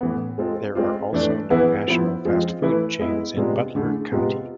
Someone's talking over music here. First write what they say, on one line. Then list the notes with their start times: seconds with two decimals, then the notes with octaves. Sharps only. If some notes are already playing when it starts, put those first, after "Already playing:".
There are also no national fast food chains in Butler county.
0.01 A2 E3 B3
0.38 G#3 C4 F4 A4
0.75 G#3 C4 F4
1.13 E3 A3 D4
1.50 E3 B3 E4 G#4 B4
1.88 F3 B3 E4
2.25 F3 G#3 C4 F4
2.62 E3 A3 E4 B4
2.99 G#3 B3 E4
3.37 C3 G#3 B3 D4 F4
3.75 D3 A3 E4 G#4
4.12 C3 G#3 B3 F4